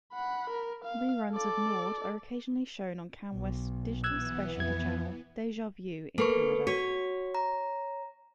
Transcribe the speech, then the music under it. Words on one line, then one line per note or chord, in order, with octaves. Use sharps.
Reruns of "Maude" are occasionally shown on Canwest's digital specialty channel, DejaView in Canada.
F#5 B5
A#4
F5
A4 D5
B1
E3 B3 E6 F#6 G#6
F2 E5 G#6
A#3 A4 B4 C#6
F#4 C#5
A#5